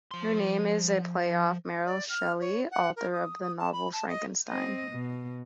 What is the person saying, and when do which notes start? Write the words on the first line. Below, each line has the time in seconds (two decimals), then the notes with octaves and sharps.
Her name is a play off Mary Shelley, author of the novel "Frankenstein".
0.11 F3 C6
1.86 D5
2.09 F6
2.40 C#5
2.71 F#5
2.96 A#4
3.13 D#6
3.42 D#6
3.58 A5
3.72 B5
3.93 A5
4.08 D#5
4.49 C4 D#5
4.91 B2